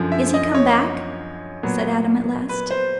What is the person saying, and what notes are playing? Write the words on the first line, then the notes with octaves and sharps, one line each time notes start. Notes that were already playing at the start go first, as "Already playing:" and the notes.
"Is he come back?" said Adam at last.
Already playing: F#2 D3 F3
E5
D#5
C#5
A#2 F#3 B3
B4
C5